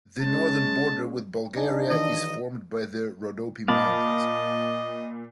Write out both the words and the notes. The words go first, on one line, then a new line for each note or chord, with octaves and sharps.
The northern border with Bulgaria is formed by the Rhodope Mountains.
G#3 C#4 A5
B1 G2 D4 D#4 D5 G#5
D#3 E3 D#5
A#2 D#5 F5 A5 B5 D6